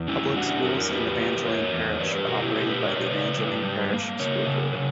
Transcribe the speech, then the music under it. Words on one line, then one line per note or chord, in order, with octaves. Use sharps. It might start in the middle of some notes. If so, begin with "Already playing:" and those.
Public schools in Evangeline Parish are operated by the Evangeline Parish School Board.
Already playing: E2
G3 C#4 E4
G3 D4 F#4
E2 F#4 A#4
A#3 G4 B4
A#3
E2 A#4 C#5
E2
G3 B4 D5
G4 B4
B2 F#4 A#4
E4 G4
B2 E4 G4
G4 B4
B2 A#4 C#5
B4 D5
C#3 B4 D5
G3
G3
A#3
C#3 A#4 C#5
C#3
C#3